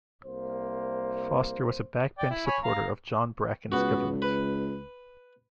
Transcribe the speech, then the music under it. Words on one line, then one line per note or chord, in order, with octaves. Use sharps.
Foster was a backbench supporter of John Bracken's government.
C2 A#3 C5
D5 G5
E4
C#5 G#5 B5
F5 A#5
C#2 B3 F#4
B4